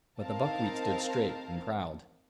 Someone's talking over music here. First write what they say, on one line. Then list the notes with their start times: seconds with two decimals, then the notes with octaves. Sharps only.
But the buckwheat stood straight and proud.
0.22 C4 D#4 A#4 F5 A5